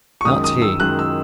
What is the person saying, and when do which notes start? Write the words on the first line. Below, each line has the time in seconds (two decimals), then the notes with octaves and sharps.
Not he.
0.21 C#6
0.25 F#2 D#3 G#3 D#6
0.44 D#6
0.62 E6
0.80 F#2 D#3 G#3 F#6
0.99 E6